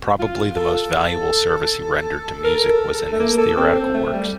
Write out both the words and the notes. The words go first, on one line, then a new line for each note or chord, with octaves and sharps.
Probably the most valuable service he rendered to music was in his theoretical works.
F4
A4
A#4
A4
A4
A3
A#3
A4
C4
C4
A3
G3